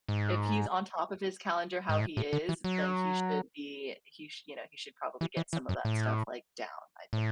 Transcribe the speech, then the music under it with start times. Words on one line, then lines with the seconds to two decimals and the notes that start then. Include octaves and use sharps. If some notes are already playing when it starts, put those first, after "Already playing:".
If he's on top of his calendar how he is, then he should be he sh you know, he should probably get some of that stuff, like, down, I think.
0.08 G#2
1.89 G#2
2.01 A2
2.17 A2
2.33 D3
2.49 E3
2.64 F#3
5.21 E3
5.37 E3
5.53 E3
5.69 F#2
5.85 A2
7.13 A2